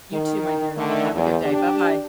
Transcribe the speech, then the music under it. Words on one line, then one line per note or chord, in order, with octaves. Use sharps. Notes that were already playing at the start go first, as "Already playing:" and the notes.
You too, my dear. Have a good day. Bye-bye.
D#3
D3 D#3 A3
E2
D4 G4